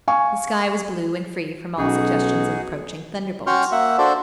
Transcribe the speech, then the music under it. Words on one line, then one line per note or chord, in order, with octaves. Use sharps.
The sky was blue and free from all suggestions of approaching thunderbolts.
F5 G#5 C#6
B1 C#4 D#4 F#4 G#4
C#4 F#4 G5 C6 C#6 F6
A#3 E5 F#5
D4 F#4 A4 C5 D5